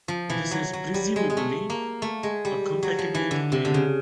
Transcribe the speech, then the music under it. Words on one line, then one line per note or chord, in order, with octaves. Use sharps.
This is presumably a compatibility layer.
F3
E3
F#3
F#3
G3
G#3
G#3
A3
A#3
A3
G#3
G3
F#3
F3
E3
D3
C3
D3
C#3